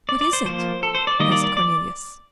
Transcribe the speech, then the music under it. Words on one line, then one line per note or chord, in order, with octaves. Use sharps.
"What is it?" asked Cornelius.
D5
D5
C5
F3 A#3 C5
A4
C5
D5
D#3 G3 A#3 D#5
D5
D5
D5